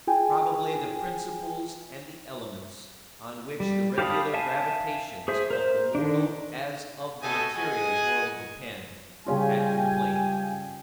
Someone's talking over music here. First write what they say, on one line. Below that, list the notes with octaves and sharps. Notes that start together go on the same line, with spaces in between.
Probably the principles and the elements, on which the regular gravitations of the moral, as of the material, world depend, had complained.
F4 G#4 G5 G#5
G3
G4 F5 A5 B5 D#6
E5 F5 G#5 A5
G#4 C5 E5
A#4 C5
D#3 D4
B2 A3 A4 D#5 G#5
G#4 D#5 F#5 G#5
C#3 G3 C#4 F4 G5 G#5